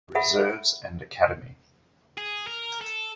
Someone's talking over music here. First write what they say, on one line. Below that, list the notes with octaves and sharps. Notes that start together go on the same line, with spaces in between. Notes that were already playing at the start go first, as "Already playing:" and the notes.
Reserves and Academy.
G#4 A4 E5 F#5 B5
G#4
A#4
A4